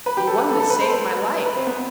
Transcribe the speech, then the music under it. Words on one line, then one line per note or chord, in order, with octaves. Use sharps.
"The one that saved my life."
B4
G4
A4
B4
A4
A4
B4
C5
B4
B4
C4
B3